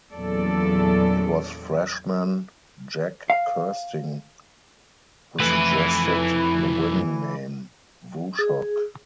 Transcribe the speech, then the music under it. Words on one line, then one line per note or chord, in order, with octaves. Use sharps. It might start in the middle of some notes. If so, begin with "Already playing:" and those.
It was freshman Jack Kersting who suggested the winning name, WuShock.
E2 A#2 F#3 C#4 A4 D5
F5
F2 E3 A3 B4
G#4